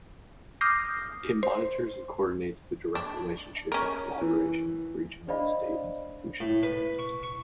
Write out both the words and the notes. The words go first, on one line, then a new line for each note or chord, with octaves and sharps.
It monitors and coordinates the direct relationship and collaboration with regional and state institutions.
D6 D#6 F6 G6 A#6 C7
C5
D4
C#4 A#4
E3
D4 C5 D5 D#5 F5 B5
A2
B4
C#6
C#6